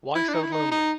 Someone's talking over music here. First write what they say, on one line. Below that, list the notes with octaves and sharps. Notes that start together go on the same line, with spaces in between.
Why So Lonely?
E4
D4
D#4
E4
D#4
D#4